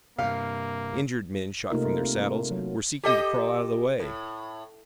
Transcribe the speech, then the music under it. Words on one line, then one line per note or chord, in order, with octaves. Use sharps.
Injured men, shot from their saddles, were seeking to crawl out of the way.
G2 C3 A#3 F5
C3 A3 A#3 D#4 F4 A#4
F#3
G4 A4 D#5
A2